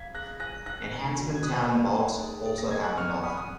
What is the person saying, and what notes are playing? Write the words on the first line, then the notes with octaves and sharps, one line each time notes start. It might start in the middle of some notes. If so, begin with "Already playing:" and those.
"Enhancement talent" bouts also happened often.
Already playing: F5 G#6 B6
G#4 F#6 A#6
G#5 F#6 A#6
D#4 F#6 A#6
B3
F#4
G#6
F#4 D#6 F#6
B4
D#4
G#4
G#4
A#6
D#5 G#6
F#6
F#5 C#6 F6
F#5 B5 D#6
D#6